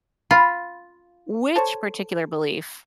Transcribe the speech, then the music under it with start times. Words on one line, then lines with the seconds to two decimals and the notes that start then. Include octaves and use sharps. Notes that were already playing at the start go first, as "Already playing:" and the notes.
which particular belief,
0.31 F4 B5
1.56 A4 C5 C#5